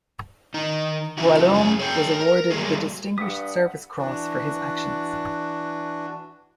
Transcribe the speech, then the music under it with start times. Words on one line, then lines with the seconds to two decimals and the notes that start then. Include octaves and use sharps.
Voillaume was awarded the Distinguished Service Cross for his actions.
0.54 D#3 D#4
1.18 C#3 F3 E4 F#4
1.51 F#2 C#4 G#4
1.79 G#4 C#5 F5 G5
2.13 A#4
2.50 F#3 G3 A3 A#3 G#4
3.18 G2 F#5 D#6 B6
3.98 E3 D4 F#4